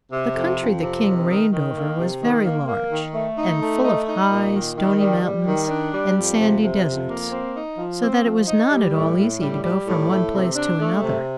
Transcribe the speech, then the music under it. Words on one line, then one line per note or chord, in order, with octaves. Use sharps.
The country the king reigned over was very large, and full of high, stony mountains and sandy deserts, so that it was not at all easy to go from one place to another.
C3
F2
F2
C3
D#3
D#3
D#3
A#3
C3
D#3
A#3
A#3
D#3
A3
D#4
A3
D#4
D#4
A#2
D#3
D#3
G3
G3
D#3
D4
G3
F2
C3
C3
F2
A#3
C4
D#4
F3
C4
F3
D#4
G3
A2
A2
G3
G3
A2
A3
C3
D4
A3
C3